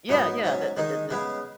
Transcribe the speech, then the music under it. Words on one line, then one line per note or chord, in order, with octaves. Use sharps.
Yeah, yeah, the the the the
G#2 F#3 B3 D#4
G#2 F#3 C#4
D#3 G#3 D#4
C#3 G#3 B3